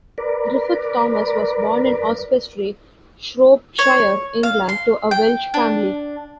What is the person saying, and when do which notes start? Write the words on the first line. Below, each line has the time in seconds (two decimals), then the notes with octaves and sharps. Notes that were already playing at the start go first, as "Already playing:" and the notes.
Griffith Thomas was born in Oswestry, Shropshire, England, to a Welsh family.
0.18 A#4 B4 D5
3.79 C#5
4.43 F5
4.69 C6
5.11 G5
5.54 D4